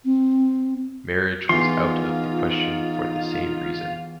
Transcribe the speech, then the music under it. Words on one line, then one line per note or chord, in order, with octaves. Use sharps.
Marriage was out of the question for the same reason.
C4
E2 D#4 F4 C6